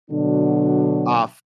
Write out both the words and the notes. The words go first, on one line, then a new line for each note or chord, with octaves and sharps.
uh, f f
B2 D3 F#3 D4